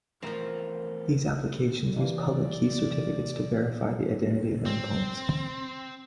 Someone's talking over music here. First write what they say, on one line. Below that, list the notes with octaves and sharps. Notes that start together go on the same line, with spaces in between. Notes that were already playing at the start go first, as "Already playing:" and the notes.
These applications use public key certificates to verify the identity of endpoints.
E2 F3 A3 C4 A#4
C3 E3 A#3 D5
C4